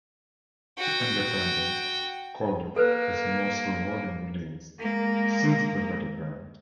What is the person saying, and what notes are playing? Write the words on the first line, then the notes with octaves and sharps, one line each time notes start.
The Independent called it "his most rewarding release since the Beta Band".
F#4 G5
A#3 A4 B4 C5
G#3 A#3